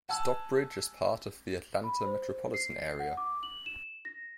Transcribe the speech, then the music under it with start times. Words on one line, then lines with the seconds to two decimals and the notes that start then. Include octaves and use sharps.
Stockbridge is part of the Atlanta metropolitan area.
0.09 F#5 G#5 A5 E6
1.84 B5
2.06 C5
2.54 C7
2.99 F#5
3.17 D6
3.43 F#7
3.66 E7
4.05 A#6